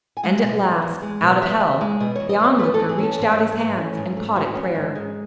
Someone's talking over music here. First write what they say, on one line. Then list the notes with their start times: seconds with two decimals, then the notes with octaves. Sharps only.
And at last, out of hell, the Onlooker reached out his hands and caught at prayer.
0.17 G#5
0.23 G#3 F#5
0.43 B2
0.63 E2
0.82 E2
1.02 G#3
1.22 B2
1.42 E2 E5
1.60 E2
1.81 G#3
2.00 B2 D#5
2.15 E2 C#5
2.29 D#5
2.40 E2 C#5
2.59 A3 B4
2.74 E3 A4
2.89 G#4
2.98 C#4 A4
3.18 G#2
3.38 A3
3.57 E3
3.77 C#4
3.97 G#2
4.17 A3
4.36 E3 F#4
4.55 C#4
4.75 G#2
4.95 G#3